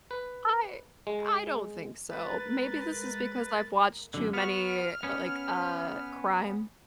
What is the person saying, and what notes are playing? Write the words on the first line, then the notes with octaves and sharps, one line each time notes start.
I I don't think so, maybe this is because I've watched too many, eh like, uh, crime
B4
G#3
G#3 A#4 B4 A6
F#2 D3
B3 F#4 F6
B3 C#4